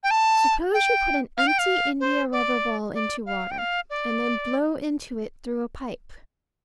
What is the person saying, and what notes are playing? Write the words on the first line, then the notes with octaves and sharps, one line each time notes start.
Suppose you put an empty india-rubber ball into water, and then blow into it through a pipe.
G5
A5
G5
F5
G5
F5
C5
D5
D5
F5
G5
F5
D5